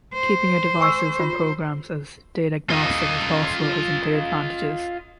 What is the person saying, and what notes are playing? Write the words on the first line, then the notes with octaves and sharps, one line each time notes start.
Keeping your devices and programs as data agnostic as possible has some clear advantages.
C5
G#5 C#6 E6
F4
F4 D#5